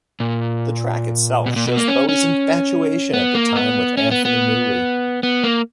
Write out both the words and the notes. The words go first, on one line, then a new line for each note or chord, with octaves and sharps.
The track itself shows Bowie's infatuation at the time with Anthony Newley.
A#2
B2
A#2
B2
A#3
C#4
C#4
B3
A#3
B3
C#4
B3
B3
B3
A#3